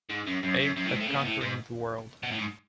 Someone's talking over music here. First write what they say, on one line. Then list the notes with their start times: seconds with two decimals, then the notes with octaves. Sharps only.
Aim at conquering the world.
0.10 G#2
0.27 F#2
0.43 F#2
0.59 F#2
0.76 F#2
0.85 A2
0.92 G#2
1.00 A2
1.08 C#3
1.16 B2
1.25 A2
1.41 G#2
2.23 B2
2.31 A2
2.39 G#2